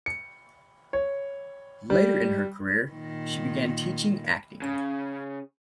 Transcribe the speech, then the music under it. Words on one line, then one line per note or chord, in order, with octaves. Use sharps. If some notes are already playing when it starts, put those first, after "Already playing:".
Later in her career, she began teaching acting.
C#7
C#5
G3
A#2 D#3
C#3